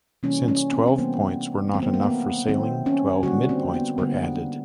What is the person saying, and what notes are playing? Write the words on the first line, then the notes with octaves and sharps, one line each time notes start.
Since twelve points were not enough for sailing, twelve midpoints were added.
C3 E3 G3 A#3 C#4
C#4
C4
C4
C3 E3 G3 A#3 B3
D#3 F#3 A3 C4
B3
A#3
B3
D#3 F#3 A3 C4
C#4
D3 G3 A#3 F#4
C4
B3
D3 G3 A#3 B3